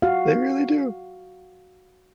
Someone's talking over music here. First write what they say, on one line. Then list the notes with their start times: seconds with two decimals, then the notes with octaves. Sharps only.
they really do.
0.02 F#4 F5